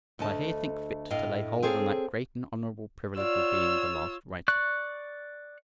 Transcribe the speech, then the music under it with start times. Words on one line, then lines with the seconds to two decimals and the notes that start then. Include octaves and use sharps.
But I here think fit to lay hold on that great and honourable privilege of being the last writer.
0.19 D2 A3 D#5 A5
1.11 A2 D#5 F5
1.62 C4 G#4 A4 C#5 F5
3.17 F4 C#5 D5 F#5 E6
4.48 D5 C#6 F#6